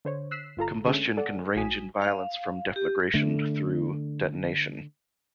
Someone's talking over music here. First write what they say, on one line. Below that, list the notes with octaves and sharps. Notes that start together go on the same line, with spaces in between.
Combustion can range in violence from deflagration through detonation.
D3 C5 C#5
E6 F#6 B6 C7 E7
G1 F4 A4 A#5
D3 G#3 A3 C#4
A4 D5 F#5
A#1 A2 F#4 G#5 D#6 B6
F5
G4
D3 A3